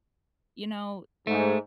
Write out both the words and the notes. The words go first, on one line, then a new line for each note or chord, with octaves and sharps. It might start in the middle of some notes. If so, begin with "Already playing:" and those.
you know,
G#2 A3